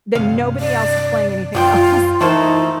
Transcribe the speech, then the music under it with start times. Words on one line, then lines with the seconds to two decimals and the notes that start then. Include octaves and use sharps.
then nobody else is playing anything else.
0.15 G2 C3 F5
0.60 D5
1.55 F#2 F3 F4 G4 G5
2.21 E3 A3 A#3 D#4 C5